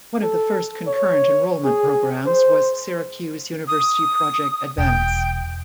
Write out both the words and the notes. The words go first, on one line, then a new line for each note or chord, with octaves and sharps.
One of the first concurrent enrollment programs was Syracuse University Project Advance.
A4
C#5
G#4
C5
D#6
E1 G5